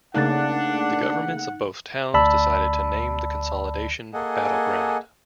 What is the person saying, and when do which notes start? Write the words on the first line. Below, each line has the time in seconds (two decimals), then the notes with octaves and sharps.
The governments of both towns decided to name the consolidation Battle Ground.
0.14 C#3 A3 A#3 D4 D#4 F#5 F#6 A6
2.14 D2 D5 A5 B5 E6
4.14 A#3 G#4 A4 D#5 F#5 G#5